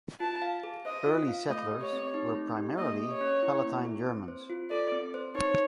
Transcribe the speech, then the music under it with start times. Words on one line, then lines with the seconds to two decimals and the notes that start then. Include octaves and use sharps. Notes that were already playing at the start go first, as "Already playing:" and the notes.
Early settlers were primarily Palatine Germans.
0.20 F4 A5
0.42 F5
0.63 G#4
0.85 C5 D#5
1.06 F4
1.28 F5
1.49 A3 D#5
1.71 G4
1.81 C#5
1.93 C4
2.14 D#4
2.35 A3
2.57 G4
2.78 A#3 D#5
3.00 G#4
3.10 C#5
3.21 C#4
3.43 E4
3.63 A#3
3.85 G#4
4.07 C4
4.28 C5
4.50 F4
4.71 A4 D5
4.92 C4
5.14 C5
5.35 D#4 C#5